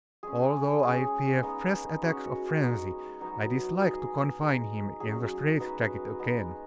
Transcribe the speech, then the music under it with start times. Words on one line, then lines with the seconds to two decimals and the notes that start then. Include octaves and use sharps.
"Although I fear fresh attacks of frenzy, I dislike to confine him in the strait-jacket again."
0.23 G#3 C#4 G#4
0.83 G#3 C#4 G#4
1.43 G#3 B3 D#4
2.02 G#3 C#4 F#4
2.61 D#4
2.66 G#3
3.21 F#3 B3 D#4
3.81 G#3 D#4 G#4
4.41 G#3 D#4
5.00 F#3 C#4 G#4
5.60 F#3 B3 D#4 B4
6.19 G#3 B3 D#4